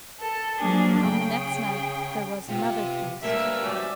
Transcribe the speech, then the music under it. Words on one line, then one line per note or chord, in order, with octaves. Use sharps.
On the next night there was another feast.
A4
F3 F#3 A#3 D4 G#4
C#3 G#4 G5
C3 B3 F4 G4
D3 G3 A#3 C#4 A#4 B4 E5
C4 F#4 G4 D5 G#5